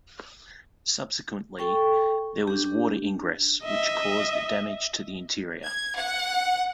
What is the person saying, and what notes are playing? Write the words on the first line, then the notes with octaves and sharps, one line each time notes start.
Subsequently, there was water ingress, which caused damage to the interior.
A4 G5 C#6
D4 G4
D#5 E5
G#6
F#5